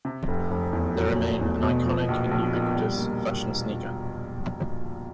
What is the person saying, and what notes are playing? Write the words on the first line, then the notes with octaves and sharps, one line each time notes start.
They remain an iconic and ubiquitous fashion sneaker.
C3
F1
F1
E2
F#3
A3
E2
B2
F3
A#1
A#1
A#2
G3
A#3